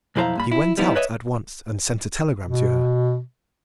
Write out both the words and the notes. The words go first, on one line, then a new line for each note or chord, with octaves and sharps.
He went out at once and sent a telegram to her.
B1 F2 E4 C5 F5 A#5
G2 A#3 B5
E4
G3 B3 D#4 E4
B4 C#5 D#5 E5
B2